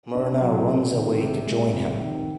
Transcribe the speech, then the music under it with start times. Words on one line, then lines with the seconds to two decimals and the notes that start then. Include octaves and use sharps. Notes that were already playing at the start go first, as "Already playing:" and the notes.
Merna runs away to join him.
0.14 D4
0.41 F#3
0.67 C3
0.93 D#3
1.20 C3
1.47 G#3
1.73 C3
2.00 D#3